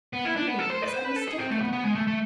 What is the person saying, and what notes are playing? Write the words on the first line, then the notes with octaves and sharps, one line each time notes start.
I knew; it was unmistakable.
B3
E4
D4
B3
A4
C5
D5
B4
C5
B4
A4
G#4
C4
A3
B3
B3
G#3
A3
A3